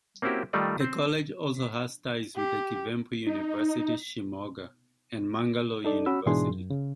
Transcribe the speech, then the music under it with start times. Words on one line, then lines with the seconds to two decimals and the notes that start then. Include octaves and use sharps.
The college also has ties with the Kuvempu University, Shimoga; and Mangalore University.
0.22 A#3 C4 C#4 E4 F#4 G4
0.53 D#3 G3 A3 D#4 F4 D5
0.81 C4 C5
2.36 G4
3.27 D#4
5.84 D#4 A4 D5
6.06 C#4 F#4 B5 E6
6.26 G#2 B2 E3 D4 G#4 C6
6.50 F#2
6.70 C#3